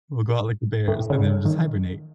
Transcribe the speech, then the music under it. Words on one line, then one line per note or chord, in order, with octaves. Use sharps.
We'll go out like the bears, and then we'll just hibernate.
A2
C#3
D#3